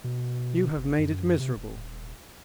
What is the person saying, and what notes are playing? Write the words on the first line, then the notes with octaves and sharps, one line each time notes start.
You have made it miserable.
B2
G1
F#2
C3
D#1